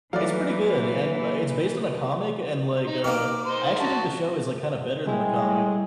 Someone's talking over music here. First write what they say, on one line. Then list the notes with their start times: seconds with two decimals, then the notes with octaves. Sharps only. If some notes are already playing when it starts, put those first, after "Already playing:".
It's pretty good, and like, it's based on a comic, and, like, uh, I actually think the show is, like, kinda better than the comic
0.13 E3 F#3 A3 A#3 D5 F5
2.87 D#4
3.04 D#3 A#3 D6
3.46 D#4 C5 C6
3.80 F#4 A5
5.06 G3 G#3 E4